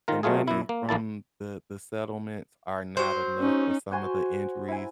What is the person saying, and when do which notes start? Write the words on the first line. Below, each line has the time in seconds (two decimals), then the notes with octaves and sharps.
the money from the the settlements are not enough for some of the injuries
0.08 D#3 F4 A#4
0.23 B2 F#3 A3 F4 G#4
0.48 F#2 E4
0.69 A#3
0.89 A#1 A#3 E4 A5
2.97 F#3 C5
3.40 C#4 D#4
3.91 F#4 C5 G#5 C6
4.68 E4 G#5